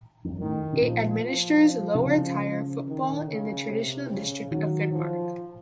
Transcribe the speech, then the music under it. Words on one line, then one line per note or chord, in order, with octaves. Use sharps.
It administers lower tier football in the traditional district of Finnmark.
F2
F#2
A2 D#3
C3
A#2 F3
F3
C3
C#3
D#3
C#3
C3
C#3
D#3 F#3
F3